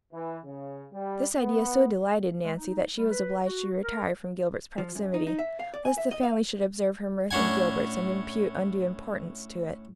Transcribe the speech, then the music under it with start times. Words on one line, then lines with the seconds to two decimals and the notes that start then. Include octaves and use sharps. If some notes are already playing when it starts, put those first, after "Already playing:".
This idea so delighted Nancy that she was obliged to retire from Gilbert's proximity, lest the family should observe her mirth and Gilbert's and impute undue importance to it.
0.12 E3
0.44 C#3
0.92 G3
1.36 B3
2.43 G#3
2.56 D#4
2.95 G3
3.12 B4
3.43 F#4
3.83 A#4
4.78 F3
4.95 F#2
5.14 D#4
5.27 D#4
5.39 E5
5.60 F5
5.74 D5
5.85 G#5
5.98 E5
6.11 D#5
6.23 F5
7.31 A2 C#4 D4 F#5 G#5